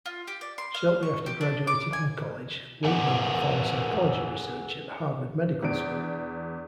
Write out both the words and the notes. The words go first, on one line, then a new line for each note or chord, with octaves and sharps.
Shortly after graduating from college, Liebman performed psychology research at Harvard Medical School.
F4
G4
D5
C6
F5
C#6
G4
D4
D6
G#5
G#4 A4 B4 F#5 G#5
E2 D4 D7